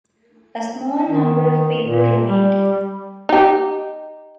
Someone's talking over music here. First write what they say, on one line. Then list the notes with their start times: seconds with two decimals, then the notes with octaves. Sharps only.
A small number of people remained.
1.05 D#3
1.83 A#2
2.26 G3
3.29 D#4 G4